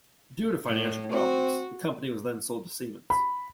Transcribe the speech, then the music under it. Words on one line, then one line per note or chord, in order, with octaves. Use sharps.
Due to financial problems, the company was then sold to Siemens.
A2
C4 F#4
B5